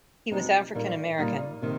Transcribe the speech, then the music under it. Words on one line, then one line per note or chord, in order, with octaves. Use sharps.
He was African American.
B2 G#3 C4 D#4
A#2 G3 A#3 D#4
A#2 G3 A#3 D#4
C3 D#3